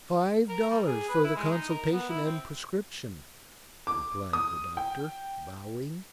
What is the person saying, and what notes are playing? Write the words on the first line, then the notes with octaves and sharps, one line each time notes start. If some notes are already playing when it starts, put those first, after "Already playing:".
"Five dollars for the consultation and prescription," replied the doctor, bowing.
A#4
G3
G#4
B4
E4
G#3
D#4
A#4
B3
E4
C4
D6
D#6
G5